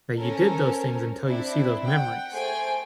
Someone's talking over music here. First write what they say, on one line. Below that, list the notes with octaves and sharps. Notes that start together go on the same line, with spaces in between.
that you did those things until you see those memories,
C#4 A4 A#4 C5
C4 D4 E4
F#5 G5
A3 G#4 C5 G5 G#5 D7